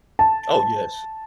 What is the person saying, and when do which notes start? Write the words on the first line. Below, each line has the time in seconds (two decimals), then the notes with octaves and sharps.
Oh, yes.
0.19 A5